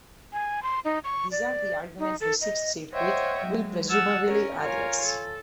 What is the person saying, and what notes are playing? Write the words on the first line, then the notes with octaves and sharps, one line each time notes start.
These are the arguments the Sixth Circuit will presumably address.
G#5
C6
D#4
C#6
D5
D#4
A4
D#5
C5 C#5 D#5 E5 F#5 G5
F#3 G#3
F#5 A5 E6 F6 G#6
C#4 A#4
F4 A#4 C#5 F5 G#5
A4